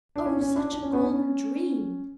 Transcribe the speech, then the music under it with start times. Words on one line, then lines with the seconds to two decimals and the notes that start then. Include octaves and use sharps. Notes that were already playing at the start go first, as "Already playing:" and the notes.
Oh, such a golden dream!
0.16 D4
0.25 C#4
0.41 C#4
0.56 D4
0.72 D4
0.82 C#4
0.93 B3
1.04 C#4